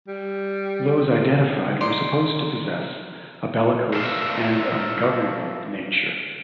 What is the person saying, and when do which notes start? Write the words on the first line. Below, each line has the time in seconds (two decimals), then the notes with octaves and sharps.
Those identified were supposed to possess a bellicose and ungovernable nature.
0.08 G3
1.81 D#4 D5 C6
3.94 A#4 C5 D5 E5 F5 A5